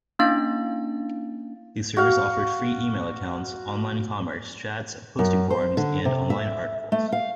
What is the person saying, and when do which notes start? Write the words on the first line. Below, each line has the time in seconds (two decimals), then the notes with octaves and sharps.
The service offered free email accounts, online commerce, chats, posting forums, and online articles.
0.19 A#3 C#4 D4 E4 F5 A6
1.97 F#4 F5
5.19 F#2
5.50 C5
5.77 D3
6.05 C3
6.30 E5
6.92 A3
7.12 F5